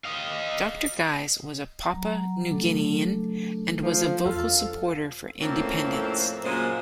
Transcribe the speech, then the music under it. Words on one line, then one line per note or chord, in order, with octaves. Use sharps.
Dr. Guise was a Papua New Guinean and was a vocal supporter for independence.
D#5 F5
F#3 A#5
C#3 F#3 A3 D4 A4
F3
E2 F4 A4
F2 A2 A#3 C4 C#4
F#2 A#2 C#3 G#3 C5